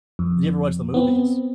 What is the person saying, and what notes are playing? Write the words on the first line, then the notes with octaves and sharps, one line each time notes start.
did you ever watch the movies?
F2
B3 C4